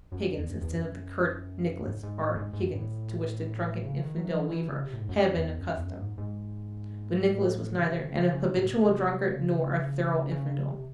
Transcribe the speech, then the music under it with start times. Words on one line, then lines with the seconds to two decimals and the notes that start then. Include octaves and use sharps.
Higgins,' instead of the curt 'Nicholas' or 'Higgins,' to which the 'drunken infidel weaver' had been accustomed. But Nicholas was neither an habitual drunkard nor a thorough infidel.
0.12 F#2
0.37 E2
0.49 F#2
0.61 E2
0.74 F#2
1.85 G#2
2.03 G#2
2.19 A2
2.35 G#2
2.53 G#2
2.61 F#2
2.74 A2
3.85 C#3
4.01 D#3
4.18 F#3
4.34 E3
4.51 E3
4.68 C#3
4.84 C3
4.93 A2
5.01 G#2
5.09 F#2
5.35 E2
5.59 F#2
5.76 E2
5.83 F#2
6.01 G#2
6.18 G#2
7.33 A2
7.77 C#3
7.84 C3
7.99 D#3
8.08 C#3
8.33 C#3
8.45 C3
8.57 A2
8.70 C3
8.83 C3
9.32 C#3
10.31 C#3
10.70 C3